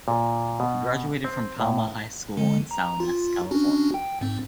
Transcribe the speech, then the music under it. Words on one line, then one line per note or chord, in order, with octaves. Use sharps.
He graduated from Palma High School in Salinas, California.
A#2
B2
C4
A2
D3 G#3
A#5
F4
C#4 D4 F#4
G5
G#2 C4